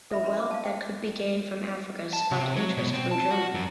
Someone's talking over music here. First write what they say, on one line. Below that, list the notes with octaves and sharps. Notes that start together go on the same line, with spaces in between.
The wealth that could be gained from Africa sparked interest from Germany.
A4 E5 B5
C#4 E4 A#4 B5 C6
C5 D6
F5 A5
C5 G5
A5
C3
F#3
B2
C4
A5
F#4
F#2